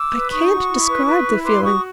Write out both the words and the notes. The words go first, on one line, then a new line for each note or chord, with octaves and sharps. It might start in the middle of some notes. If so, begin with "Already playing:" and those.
I can't describe the feeling.
Already playing: D6 E6
B4
D#4 C#6 D#6
F#4
E4
B4
B4
E4
B4 C6 D6
F#4 C#6 D#6